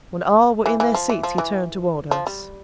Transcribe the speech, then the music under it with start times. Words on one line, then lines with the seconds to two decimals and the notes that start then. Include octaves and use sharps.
When all were in their seats he turned toward us.
0.66 E3
0.80 E3
0.94 F3
1.09 E3
1.23 F3
1.38 E3
2.11 F3
2.27 G3